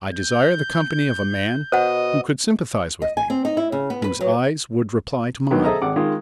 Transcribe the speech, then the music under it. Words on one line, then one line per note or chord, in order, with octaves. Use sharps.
I desire the company of a man who could sympathize with me, whose eyes would reply to mine.
G6
B2 C5 D#5 F#5
D#5
G#5
C4
D#4
E4
C#3
B3
B4
F#3
B2 D3 D#3 F#3 B3
G#4 A4 C5 D#5 E5 A#5
G#1 F#5 D6
D#3 G#3 F4